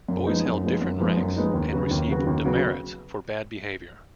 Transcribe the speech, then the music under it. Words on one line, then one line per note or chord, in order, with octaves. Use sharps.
Boys held different ranks and received demerits for bad behavior.
F#2
F3 G#3 B3 D#4
F#2
F3 G#3 B3 D#4
F#2
F3 G#3 B3 D#4
F#2
F3 G#3 B3 D#4
D#2
C#3 F#3 B3 F#4
D#2
C#3 F#3 B3 F#4
D#2
C#3 F#3 B3 F#4